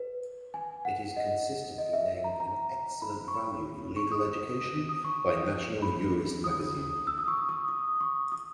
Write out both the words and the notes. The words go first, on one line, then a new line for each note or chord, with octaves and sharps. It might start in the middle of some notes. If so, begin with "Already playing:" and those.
It is consistently named an "excellent value" in legal education by National Jurist Magazine.
Already playing: B4
G#5
F#5
D#5
D#5
E5
A#5
A#5
B5
C#6
B5
C#6
D#6
D#6
C#6
B5
D#6
E6
D#6
C#6
D#6
D#6
C#6
D#6
C#6
D#6